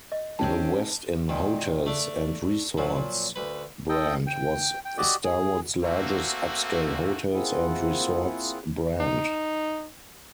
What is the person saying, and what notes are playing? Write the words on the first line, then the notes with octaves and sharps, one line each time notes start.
The Westin Hotels and Resorts brand was Starwood's largest upscale hotels and resorts brand.
D#5
C4 C#4 G4 A5
A#2 D#3
A3 D4
A#2 F3 F#3
D2 B4
A4 D#5 G5
G5
G5
F#4 G4 D5 D#5
G#4
A3 A#3 C4 F#4
A#3 C4 E4 F4 G#4 F#5
D#4